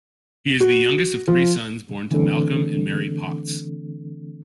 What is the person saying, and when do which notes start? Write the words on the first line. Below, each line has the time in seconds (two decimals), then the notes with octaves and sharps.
He is the youngest of three sons born to Malcolm and Mary Potts.
0.60 F#4
1.28 F3
2.11 D3 E3 A3 C4 D4 A4